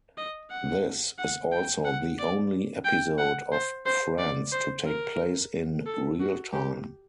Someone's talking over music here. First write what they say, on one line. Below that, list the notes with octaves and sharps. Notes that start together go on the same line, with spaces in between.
This is also the only episode of "Friends" to take place in "real time".
D#5
F#5
F#5
G5
F#5
D5
G5
F#5
C5
C5
D5
C5
A#4
A4
F#4
G4